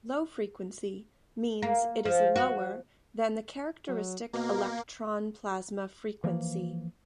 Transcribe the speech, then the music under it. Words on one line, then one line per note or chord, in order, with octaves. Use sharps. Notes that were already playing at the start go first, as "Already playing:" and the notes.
Low-frequency means it is lower than the characteristic electron plasma frequency.
A#3
F3
F#4
F#3
B2 A#3
E3 F3 A#3